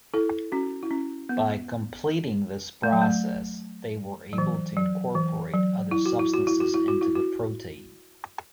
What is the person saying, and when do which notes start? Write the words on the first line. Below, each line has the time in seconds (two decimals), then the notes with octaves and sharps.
By completing this process, they were able to incorporate other substances into the protein.
0.14 E4 A4
0.52 C#4 F#4
0.83 E4
0.91 C#4
1.29 B3
2.83 A3
2.92 F#3
3.02 A3
4.33 F#3
4.38 E3
4.77 F#3
5.15 E3
5.53 F#3
5.91 E4
6.06 F#4
6.19 E4
6.33 F#4
6.47 E4
6.60 F#4
6.74 E4
6.88 F#4
7.01 E4
7.15 F#4